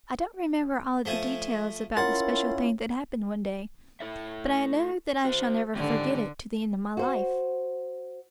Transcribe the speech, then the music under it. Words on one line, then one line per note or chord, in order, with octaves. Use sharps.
I don't remember all the details about the special thing that happened one day, but I know that I shall never forget it to the end of my life.
F3 A3 G#5
C#4 E4 F4 A#4 F#5 C6 A6
E4 A4 E5
F#4 C5
G#2 D3 D#3 G4
F#4 C5